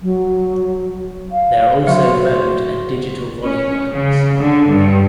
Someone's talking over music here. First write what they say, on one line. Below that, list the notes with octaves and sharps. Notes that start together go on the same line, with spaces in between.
There are also mode and digital volume buttons.
F#3
F5
F#3 F#4 C5
C#4
C#3
D3
G2